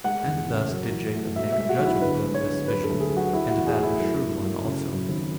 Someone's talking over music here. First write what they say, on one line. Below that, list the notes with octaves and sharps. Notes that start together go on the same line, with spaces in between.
And thus did Jacob make a judgment of this vision, and that a shrewd one also.
G#3 F#5
E2
C#3
F#2
E3
A3
B2 E5
E5
G#3
F#4
B1
E4
D3 B4
G#3
C#5
D3
F#3 B4
A4
D2
G#4
F#3
F#4
F#3 E4
F#4
E2
G#4
A3
E4
F#2
A3
F#2
C#3
F#3
G#1